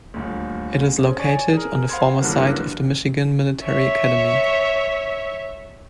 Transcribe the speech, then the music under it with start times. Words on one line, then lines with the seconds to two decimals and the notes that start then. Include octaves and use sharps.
It is located on the former site of the Michigan Military Academy.
0.14 D#1 D2
0.98 C4 C#4 G#4
1.19 C#5 D5 G#5 C#6
1.53 G#4 A#4
1.89 C5 F5 F#5 B5 C6 G#6
2.20 G2 D3 E3 F#3 G3 A#3
3.64 C#5 E5